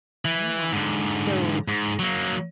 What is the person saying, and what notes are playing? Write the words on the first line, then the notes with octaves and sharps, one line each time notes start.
Yeah, so,
E3
G#2 D3
G#2
F#3 A#3